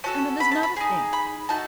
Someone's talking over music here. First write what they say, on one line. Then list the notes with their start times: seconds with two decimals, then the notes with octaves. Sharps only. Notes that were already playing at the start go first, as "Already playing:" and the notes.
And then there's another thing.
0.04 C#4 F#4 A4 A5
0.40 B5
0.51 A5
0.63 B5
0.76 D#4 G#4
1.13 B5
1.49 A3 D#4 F#4 A5